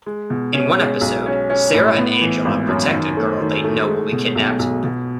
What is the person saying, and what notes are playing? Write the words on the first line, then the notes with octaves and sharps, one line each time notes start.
In one episode, Sarah and Angela protect a girl they know will be kidnapped.
G#3
B2
C#4
G#3
B1
C#4
C#4
A2
B3
E3
G#1
F#2
D#3
A3
D#3
A3
G#3
B2
B1
B1
B2